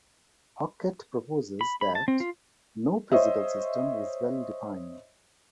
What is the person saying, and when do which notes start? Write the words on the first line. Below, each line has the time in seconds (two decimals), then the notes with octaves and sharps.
Hockett proposes that "no physical system is well-defined".
1.61 B5
1.81 B5
1.95 A5
2.08 C4
2.20 F4
3.12 C5 C#5 D#5 E5